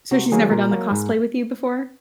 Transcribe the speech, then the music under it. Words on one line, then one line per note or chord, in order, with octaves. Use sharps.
So she's never done the cosplay with you before?
C3 F#4
D#3 F#3 A#3 G#4
A#2 A#4
F#3 A#3
G#2